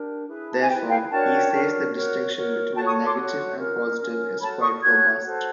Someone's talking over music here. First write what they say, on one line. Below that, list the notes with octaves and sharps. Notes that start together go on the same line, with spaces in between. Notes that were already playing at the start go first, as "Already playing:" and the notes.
Therefore, he says the distinction between negative and positive is quite robust.
Already playing: D4 G4 A#4
E4 G#4 B4
A5
G#5
E4 G#4 B4 F5 G5
F5 G5
D4 F#4 A#4 C#5 G5 A5
D4 F#4 A#4 C#5
F#4 A#4 C#5
F#4 A#4 C#5
F#4 A4 C#5 G5 A5
C#6 D#6
C6 D6
F#4 A4 C#5
C#4 F4 A#4
C#4 F4 A#4
F#4 A4 C#5 A5 B5
C#6 D#6
F#4 A4 C#5 F#6 G#6
F#4 A4 C5